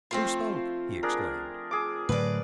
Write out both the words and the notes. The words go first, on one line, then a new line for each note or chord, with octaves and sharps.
"Who spoke?" he exclaimed.
F3 A3 C4 F4 C6
D4 G#4 A#4
G#4 D6
A2 D3 F#3 B4 D5